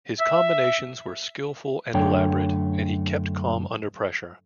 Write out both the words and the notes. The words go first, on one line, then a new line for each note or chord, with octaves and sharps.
His combinations were skillful and elaborate, and he kept calm under pressure.
E5
F#2 D3 A3 D4 C#5 G5